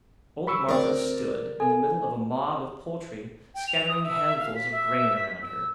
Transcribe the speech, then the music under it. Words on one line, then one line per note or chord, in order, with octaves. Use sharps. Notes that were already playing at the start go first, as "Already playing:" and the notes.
Old Martha stood in the middle of a mob of poultry scattering handfuls of grain around her.
B5 C#6 E6
D2 C4 A#4 D5
A4 G#5
G5
F7
D#6
E5
F5
B6
E5
B6
E6